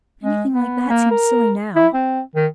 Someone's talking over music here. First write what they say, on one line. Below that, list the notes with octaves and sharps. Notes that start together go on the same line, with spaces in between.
Anything like that seems silly NOW.
G#3
B3
A#3
A#4
E4
C4
D#3